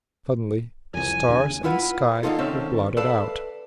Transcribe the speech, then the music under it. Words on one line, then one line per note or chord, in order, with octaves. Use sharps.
Suddenly stars and sky were blotted out.
C2 F2 G#5
D#2 C#3 D4
E4 F4 B4 F#5
D3 D#3 D#4 F4 A4
D#3 A3 C4 C#4
A4 B4 D5 E5 F5 A5